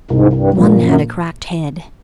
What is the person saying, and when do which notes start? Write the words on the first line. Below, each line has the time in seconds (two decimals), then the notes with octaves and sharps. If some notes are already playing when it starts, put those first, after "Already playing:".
One had a cracked head.
0.10 C2 G#2
0.34 G2
0.57 G2 A#2 F3 A#3 D4
0.71 G2
0.80 F#2